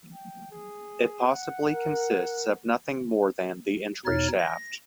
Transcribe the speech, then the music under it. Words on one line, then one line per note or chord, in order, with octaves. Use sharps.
It possibly consists of nothing more than the entry shaft.
G5
G#4
F#5
A#4
E2 B2 D#4 C#5 F6 A6
A#6